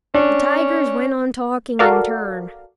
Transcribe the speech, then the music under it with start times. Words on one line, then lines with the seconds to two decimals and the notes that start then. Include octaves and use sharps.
The tigers went on talking in turn.
0.14 C#4 D4
1.79 F#4 A4 A#4 D5 F5